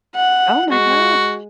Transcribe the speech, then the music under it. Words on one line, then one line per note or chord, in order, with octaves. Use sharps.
Oh my gosh.
F#5
G#3 F#4